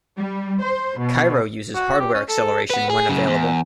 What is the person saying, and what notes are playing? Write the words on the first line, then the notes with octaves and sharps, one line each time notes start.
Cairo uses hardware acceleration when available.
G3
C5
B2
F#4
G4
C#4
A4
B4 F#5
G#4
F#2 C#3
E2